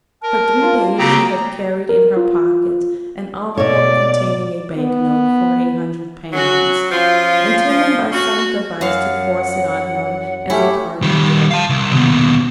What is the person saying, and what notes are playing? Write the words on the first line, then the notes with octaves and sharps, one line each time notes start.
For three days she had carried in her pocket an envelope containing a bank-note for a hundred pounds, intending by some device to force it on him as a parting gift.
A#4 A5
A#3 F4
C#3 F#3 A#3 C4 G4 G5 A#5
A#4
F4
B2 C#5 D5
B3
F#3 C#4 F#4
F3 C#4 F4
F3
C#4 F#4
F#2 C#5 F5 F#5
A3 C#4 E4 G4
D#3 G3
F5 A5
C2
D#2 B2